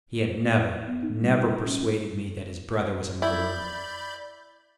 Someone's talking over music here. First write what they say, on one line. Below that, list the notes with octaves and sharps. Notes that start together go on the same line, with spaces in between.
He had never, never persuaded me that his brother was a murderer.
E4
B3
D#4
G3
C#4
E4 D5 B5 G6